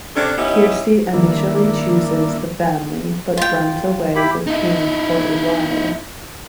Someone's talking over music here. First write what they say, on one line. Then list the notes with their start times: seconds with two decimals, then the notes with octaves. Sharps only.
Kirsty initially choose's the family but runs away with Kane for a while.
0.16 C3 A3 C#4 D4
0.38 B3 C#4 D#4 E4 G4
1.13 D#3 G3 A#3 D4 E4
3.37 F4 G5
4.15 E4 G4 B5
4.47 D#4 E4